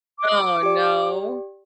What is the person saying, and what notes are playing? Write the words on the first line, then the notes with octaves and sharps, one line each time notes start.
Oh, no.
D6
G4 D5